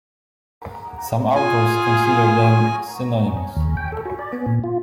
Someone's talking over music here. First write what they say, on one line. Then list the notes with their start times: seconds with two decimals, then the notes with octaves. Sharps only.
Some authors consider them synonymous.
1.36 F4 G#4 G#5
3.57 D#2
3.77 G5
3.92 A4
4.05 F#4
4.19 D5
4.33 B3
4.46 A#2
4.64 F4